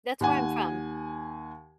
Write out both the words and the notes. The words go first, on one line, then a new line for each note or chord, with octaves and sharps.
That's where I'm from.
D#2 F#5 G#5